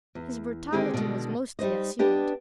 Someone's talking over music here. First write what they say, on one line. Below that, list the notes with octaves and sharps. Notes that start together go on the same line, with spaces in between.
His brutality was mostly assumed.
E2
D3 D#3 G#3 C4 G4 G#4
B2 D3 D#3 F#3 G#3
G3 D#4 C5 D#5
B3 D4 G4 D#5